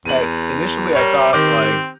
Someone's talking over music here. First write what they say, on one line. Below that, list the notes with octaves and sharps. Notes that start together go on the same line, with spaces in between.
uh initially, I thought, like,
E2 D#7 F#7
G3 A#4 C#5
D#3 C4 G4 D6